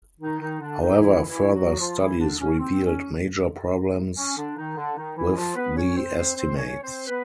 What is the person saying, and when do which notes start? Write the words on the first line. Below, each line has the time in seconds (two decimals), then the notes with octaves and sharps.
However, further studies revealed major problems with the estimates.
0.20 D#3 D#4
0.40 D#3 D#4
0.60 D3 D4
0.80 D#3 D#4
0.99 E3 E4
1.27 E3 E4
1.52 F#3 F#4
1.79 F3 F4
1.98 E3 E4
2.19 D3 D4
2.39 C#4
2.58 C4
2.84 C#4
4.17 C#4
4.37 D3 D4
4.57 D#3 D#4
4.76 D3 D4
4.96 D#3 D#4
5.16 E3 E4
5.36 F3 F4
5.55 B3 B4
5.76 C#4 C#5
5.95 C4 C5
6.16 C4 C5
6.35 C4 C5
6.55 C#4 C#5
6.81 C4 C5
7.07 B3 B4